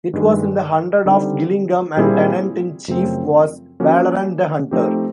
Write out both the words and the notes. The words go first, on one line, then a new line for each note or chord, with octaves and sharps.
It was in the hundred of Gillingham and tenant-in-chief was Waleran the hunter.
G2 D#3 G#3
D3 G3 C4 D#4
A#2 G3 C4 E4 G#4
F#2 C#3 F3 A3 C4
F3 A#3 C#4 F#4
F3 A3 C4 D#4 G4